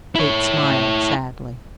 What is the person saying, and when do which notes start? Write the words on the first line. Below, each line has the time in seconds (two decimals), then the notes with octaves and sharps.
Kate smiled sadly.
0.15 E4 C#5